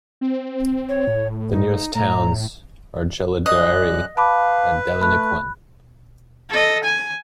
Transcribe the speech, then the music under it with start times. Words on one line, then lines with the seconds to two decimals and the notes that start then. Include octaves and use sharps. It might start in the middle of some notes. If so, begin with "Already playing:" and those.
The nearest towns are Jerilderie and Deniliquin.
0.21 C4
0.89 C#5
1.07 A2
1.52 D#4
1.95 A2 A#5
3.46 F#2 D5 D#5 F#6
4.17 B4 F5 A5 B5 D6
5.02 A3 B5 F#6
6.49 A4 D#5
6.83 G#5